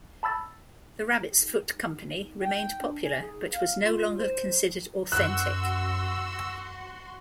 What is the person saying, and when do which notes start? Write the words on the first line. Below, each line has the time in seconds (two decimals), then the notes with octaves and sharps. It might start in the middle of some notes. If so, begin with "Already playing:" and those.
The Rabbit's Foot Company remained popular, but was no longer considered authentic.
0.23 A5 B5 E6 A6
2.42 G5
2.80 D4
3.04 G#5
3.22 G#4
3.51 F5
3.83 F4
4.19 C5
5.12 F#2 F#4 C6 E6 F#6